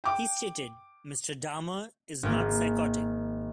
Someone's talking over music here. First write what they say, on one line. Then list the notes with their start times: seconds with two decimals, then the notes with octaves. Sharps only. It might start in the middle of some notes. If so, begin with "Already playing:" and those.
He stated, Mr. Dahmer is not psychotic.
0.04 G5 D6
2.23 G#1 A#3